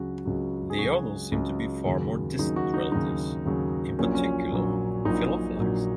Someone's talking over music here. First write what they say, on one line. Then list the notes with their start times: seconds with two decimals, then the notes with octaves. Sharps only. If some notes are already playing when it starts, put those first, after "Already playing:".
The others seem to be far more distant relatives, in particular "Pelophylax".
Already playing: C#2 C#3 F#3 F#4
0.25 C#2 C#3 F#3
0.70 G#4
0.79 C#2 C#3 F#3 F#4
1.32 C#2 C#3 F#3
1.85 D#2 C#3 F#3
2.39 D#2 C#3 F#3 D#4
2.56 F#4
2.74 D#4
2.92 D#2 C#3 F#3 D#4
3.46 D#2 C#3 F#3
3.99 A#1 A#2 F#3 C#4
4.15 C#4
4.52 A#1 A#2 F#3
5.05 A#1 A#2 F#3 D#4
5.58 A#1 A#2 F#3